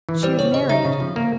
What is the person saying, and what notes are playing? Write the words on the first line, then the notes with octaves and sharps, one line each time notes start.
"She is married."
E3
G3 C5
C#3 C#5
C#3 D#5
D#4 E5
C#3
F3
A#3